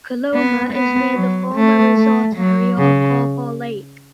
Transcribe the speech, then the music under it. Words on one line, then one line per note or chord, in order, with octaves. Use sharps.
Coloma is near the former resort area of Paw Paw Lake.
B3
B3
F#3
A3
A3
F#3
C#3